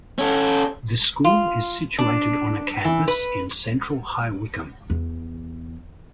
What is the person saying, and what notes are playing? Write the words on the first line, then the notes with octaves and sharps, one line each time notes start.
The school is situated on a campus in central High Wycombe.
C#4 A4
F4
D4
E3
B4
E2